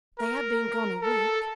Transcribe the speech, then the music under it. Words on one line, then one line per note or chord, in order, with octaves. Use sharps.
'They have been gone a week.
A#4
A4